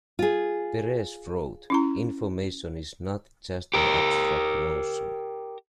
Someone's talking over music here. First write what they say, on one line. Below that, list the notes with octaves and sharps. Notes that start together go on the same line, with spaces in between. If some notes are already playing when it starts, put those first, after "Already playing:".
Peres wrote, Information is not just an abstract notion.
F4 G#4
C#4 E4 A#5
G4 A#4